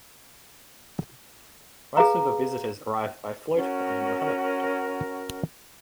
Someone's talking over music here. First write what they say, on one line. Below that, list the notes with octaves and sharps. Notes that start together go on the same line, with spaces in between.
Most of the visitors arrive by float plane or helicopter.
G#4 B4 F5 A#5
C#4 F#4 A#4